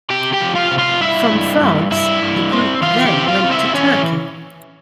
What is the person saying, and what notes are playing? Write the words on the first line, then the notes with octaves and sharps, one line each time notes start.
From France, the group then went to Turkey.
C3 G4 G5
G4 G5
F3
F4 F5
C3
F4 F5
G2 E4 E5
G2
G2
G2 E4 E5
G2
C4
E3 F4 F5
G4 G5
C4
F4 F5
C4
E4 E5
E3 C#4 C#5